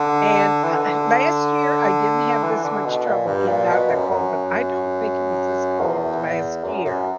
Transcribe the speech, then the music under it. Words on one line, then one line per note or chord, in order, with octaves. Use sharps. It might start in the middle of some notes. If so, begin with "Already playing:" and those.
And eh last year, I didn't have this much trouble getting out in the cold, but I don't think it was this cold last year.
Already playing: D3
E3
D3
E3
D3
B2
A#2
G2
A#2
B2
F#2
F#2
E2
F#2
F#2